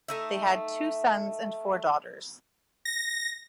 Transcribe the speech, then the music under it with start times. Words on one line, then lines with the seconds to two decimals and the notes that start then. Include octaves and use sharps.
They had two sons and four daughters.
0.08 A3 D#4 E5
2.85 A#6